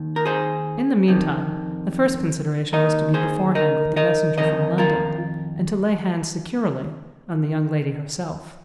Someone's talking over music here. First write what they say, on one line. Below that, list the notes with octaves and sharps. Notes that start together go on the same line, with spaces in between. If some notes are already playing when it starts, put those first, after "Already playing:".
In the meantime, the first consideration was to be beforehand with the messenger from London, and to lay hands securely on the young lady herself.
Already playing: D#2 D#3
A#4
G#4 C5
F2 C3 D#3
D#2 D#3 A#4 D#5
G#4 C5
A#4 D#5
A#4 D#5
F2 D#3 A#4 D#5
F4 A#4